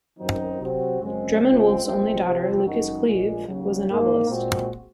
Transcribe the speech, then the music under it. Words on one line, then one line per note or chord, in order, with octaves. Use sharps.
Drummond Wolff's only daughter, Lucas Cleeve, was a novelist.
F#2 D#3 F#3 C4 D#4
C3 F#3 C4 F#4
F#2 C#3 G#3 C4
C#2 C#3 G#3 C4 F4
A#1 A#2 G#3 C4
C3 F3 C4
F#2 D#3 G#3 D#4 F#4
A#1 A#2 G#3
D#2 C#3 F#3
G#2 D#3 A#3
A#2 G#3 C4 F#4